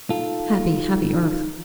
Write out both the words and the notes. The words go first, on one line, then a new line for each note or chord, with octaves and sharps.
Happy, happy earth!
D#4 F4 A4